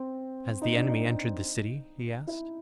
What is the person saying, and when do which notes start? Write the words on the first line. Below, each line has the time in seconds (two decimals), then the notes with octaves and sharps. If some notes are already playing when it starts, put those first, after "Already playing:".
"Has the enemy entered the city?" he asked.
Already playing: C4
0.62 D#4
0.74 D4
0.88 D#4
2.27 E4